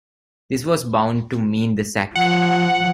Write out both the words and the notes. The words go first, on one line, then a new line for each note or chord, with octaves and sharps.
This was bound to mean the sack.
F3 F#5